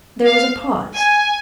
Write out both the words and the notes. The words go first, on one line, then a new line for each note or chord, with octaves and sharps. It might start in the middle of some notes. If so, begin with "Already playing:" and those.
There was a pause.
F5
G#5